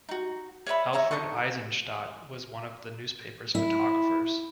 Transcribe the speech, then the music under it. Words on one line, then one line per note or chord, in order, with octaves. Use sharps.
Alfred Eisenstaedt was one of the newspaper's photographers.
D#4 F#4
C#5 D5 E5 B5
C#5 E5 A#5 C#6
D#4 A4 D#5 C#6
E4